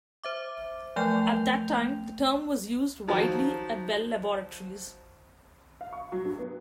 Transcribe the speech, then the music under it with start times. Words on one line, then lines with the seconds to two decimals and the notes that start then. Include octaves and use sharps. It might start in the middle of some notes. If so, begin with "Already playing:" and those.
At that time, the term was used widely at Bell Laboratories.
0.24 C5 E5 D6
0.96 F3 F#3 A3 G5 G6 F7
3.08 D#3 F3 F#3
5.81 F5
5.93 C#6
6.12 F#3
6.25 G2
6.38 B3